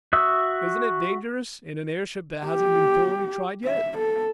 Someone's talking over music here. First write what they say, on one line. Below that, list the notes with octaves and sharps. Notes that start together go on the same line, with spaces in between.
"Isn't it dangerous--in an airship that hasn't been thoroughly tried yet?"
F#4 E5 D#6 E6
G4
E5
A4